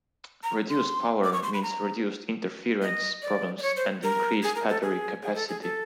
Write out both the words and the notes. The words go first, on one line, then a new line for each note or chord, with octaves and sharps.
Reduced power means reduced interference problems and increased battery capacity.
A#5
C6
D6
C#6
C6
B5
A#5
D#5
D5
D5
C#5
C5
A#4
G#4
A#4
A4
G#4
G#4
A4
G#4
A4